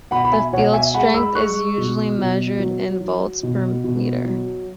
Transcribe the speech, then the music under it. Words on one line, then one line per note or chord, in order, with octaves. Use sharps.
The field strength is usually measured in volts per meter.
B2 F#5 B5
B5
E5 G#5
B2 C#5 F#5
E5 G#5
G#3 F#5 B5
B5 E6
G#3 C#6 F#6
B2
B2
F#3
F#3
B2
B2
F#3